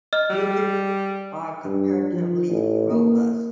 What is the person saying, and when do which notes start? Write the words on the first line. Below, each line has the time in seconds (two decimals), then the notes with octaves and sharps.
Digits are comparatively robust.
0.13 D#5 F6
0.30 G3
1.65 G2
2.13 F3
2.48 A1
2.91 A#3